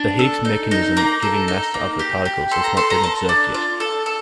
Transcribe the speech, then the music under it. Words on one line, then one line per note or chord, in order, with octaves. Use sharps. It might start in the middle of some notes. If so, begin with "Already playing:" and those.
The Higgs mechanism giving mass to other particles has not been observed yet.
Already playing: D4
A4
D#4
D#4
A#3 A#5
A4
D#4
A#3
G4
G4
A4 C6
A#5
A4 C6
A#5
A4 A5
D4
F4
A4
A4